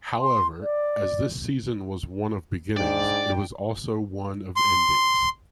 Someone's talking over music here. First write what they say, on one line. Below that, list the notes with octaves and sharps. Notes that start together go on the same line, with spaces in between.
However, as this season was one of beginnings, it was also one of endings.
C6
D5
G#2 D4 D5 G5
C6